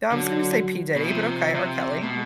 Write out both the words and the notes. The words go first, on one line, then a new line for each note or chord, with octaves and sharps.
I was gonna say P Diddy, but okay, R. Kelly.
D3 F#3
B2
C3 F3
C3
B2